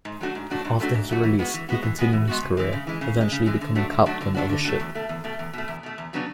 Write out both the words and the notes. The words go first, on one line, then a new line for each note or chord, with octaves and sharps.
After his release he continued his career, eventually becoming captain of a ship.
G#2
F#3 A3 D4 F#4
G#2
F#3 A3 D4 F#4
G#2
F#3 A3 D4 F#4
G#2
F#3 A3 D4 F#4
E3
G#3 B3 F#4
E3
G#3 B3 F#4
E3
G#3 B3 F#4
E3
G#3 B3 F#4
C#3
E3 G#3
C#3
E3 G#3
C#3
E3 G#3
C#3
E3 G#3
D3
F#3 A3 D4 F#4
D3
F#3 A3 D4 F#4
D3
F#3 A3 D4 F#4
D3
F#3 A3 D4 F#4
E2
B2 A3
E2
B2 A3
E2
B2 A3
E2
B2 A3
E2
C#3 F#3 B3 D4